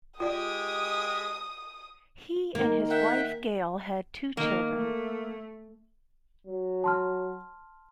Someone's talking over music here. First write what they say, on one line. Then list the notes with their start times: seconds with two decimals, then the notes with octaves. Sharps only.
He and his wife Gail had two children.
0.20 G#3 F4 G4 D5 D#6
2.55 D#3 A#3
2.90 E5 F#5 G5
4.37 D#3 A#3
4.74 A3
6.47 F#3
6.84 A5 C6 F6